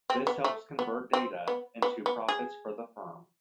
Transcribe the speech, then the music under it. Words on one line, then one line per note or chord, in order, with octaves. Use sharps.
This helps convert data into profits for the firm.
C4
B3
A3
B3
C4
B3
B3
B3
G#4